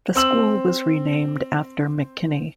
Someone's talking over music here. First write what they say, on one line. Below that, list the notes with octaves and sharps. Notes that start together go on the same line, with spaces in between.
The school was renamed after McKinney.
C4 E6 F#7